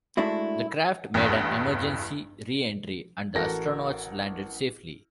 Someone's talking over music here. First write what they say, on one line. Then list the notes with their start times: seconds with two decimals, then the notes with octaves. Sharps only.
The craft made an emergency reentry and the astronauts landed safely.
0.17 G#3 A3 D4 E4 F#4
1.14 A1 E2 G2
3.35 A1 F#4 A4 A#4 A#6